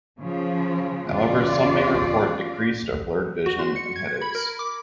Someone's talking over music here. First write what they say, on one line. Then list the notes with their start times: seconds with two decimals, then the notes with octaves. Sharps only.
However, some may report decreased or blurred vision, and headaches.
0.20 C#3 F3
1.08 E2 C#3 F4 D5
3.46 F#4
3.59 C6
3.76 C#7
3.96 G#6
4.21 B5
4.35 A#4
4.59 D6